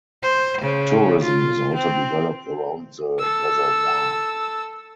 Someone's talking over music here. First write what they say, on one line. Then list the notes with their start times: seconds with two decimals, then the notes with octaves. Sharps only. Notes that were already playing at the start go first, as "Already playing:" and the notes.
Tourism is also developed around the Reservoir.
0.22 C5
0.61 C#3
1.23 F4
1.74 C4
3.19 A4 E6